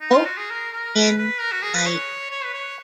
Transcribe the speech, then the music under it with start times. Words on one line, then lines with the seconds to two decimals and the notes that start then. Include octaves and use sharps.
Hope in light.
0.01 D#4
0.13 F4
0.25 F#4
0.37 G#4
0.50 A#4
0.72 A#4
0.95 B4
1.18 B4
1.40 A#4
1.52 F#4
1.63 G#4
1.75 B4
1.86 C#5
2.31 C#5
2.44 B4
2.54 C#5